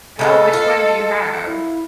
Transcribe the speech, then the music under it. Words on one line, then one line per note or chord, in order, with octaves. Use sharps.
Oh, which one do you have?
C#3 G#3 B3 A4 D#5
F4
E4